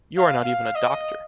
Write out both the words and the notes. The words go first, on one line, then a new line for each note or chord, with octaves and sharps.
You are not even a doctor!
F5
F5
D#5